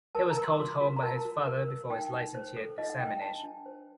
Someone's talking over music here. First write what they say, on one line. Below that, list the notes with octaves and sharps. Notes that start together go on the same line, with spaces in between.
He was called home by his father before his licentiate examination.
A#4 A5
A#5
A#4
C6
D6
F#4 C6
F#4
A#5
A#4 A5
F#4
A#4
A#4
D#4 G5
D#4
C5
A4
D#4 D#5
F#5
D#4 G5
D4 A5
D4
C5